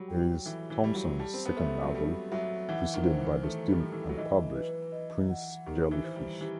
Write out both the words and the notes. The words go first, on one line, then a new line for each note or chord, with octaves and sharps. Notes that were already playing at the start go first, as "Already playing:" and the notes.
It is Thompson's second novel, preceded by the still-unpublished "Prince Jellyfish".
Already playing: F#3 G3
G5
E3 A4
E3
G3 A4
F#3
G3 A5
C4
B3
A3 E5
F#3
G3 A4
F#3 E5
E3 F#5
D#3
C5
E3
A3 A4
G3
A4
E3
F#3
E3 D#5
B4
D#5
F#5
D#3 G4
E3
C5
G3
E3 G4